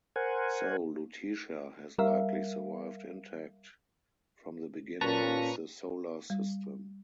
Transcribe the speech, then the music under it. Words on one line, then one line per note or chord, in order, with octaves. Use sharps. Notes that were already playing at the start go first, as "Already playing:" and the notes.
So, Lutetia has likely survived intact from the beginning of the Solar System.
A#4 C5 F#5 G#5
G3 A#4 E5 F5
A#2 C#4 A4 B4 A5 A#5 C#6
G3